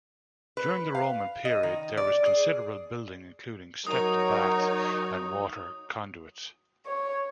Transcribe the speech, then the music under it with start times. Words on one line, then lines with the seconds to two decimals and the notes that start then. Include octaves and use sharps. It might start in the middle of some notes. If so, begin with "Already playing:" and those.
During the Roman period there was considerable building, including stepped baths and water conduits.
0.57 B4
0.95 F5
1.45 D#5
1.63 D#3
1.97 D5
2.26 G#4
3.87 F#3 D#4 A#4 C#5 D#6
6.86 C#5